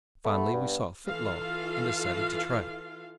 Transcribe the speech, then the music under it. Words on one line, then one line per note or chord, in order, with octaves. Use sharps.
Finally we saw a foot-log, and decided to try it.
A3 B3
G2
E3 F4 A4 F5